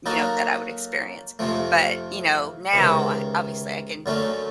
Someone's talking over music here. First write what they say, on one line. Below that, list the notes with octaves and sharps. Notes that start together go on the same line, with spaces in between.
you know, that I would experience. But, you know, now I obviously I can
F#3 A#3 D#4 F#4 A4
F2 C3 F3 A3
C#2 C3 D#3
F#2 D3 F#3 A3 C#4